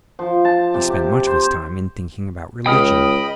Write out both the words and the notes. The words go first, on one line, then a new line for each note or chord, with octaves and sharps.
He spent much of his time in thinking about religion.
F3
A5
C3
G4
C5
C#2 D#5 G5 B5 D#6 F6